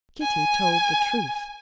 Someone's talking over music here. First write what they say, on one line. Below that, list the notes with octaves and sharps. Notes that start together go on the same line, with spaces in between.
Kitty told the truth.
G#5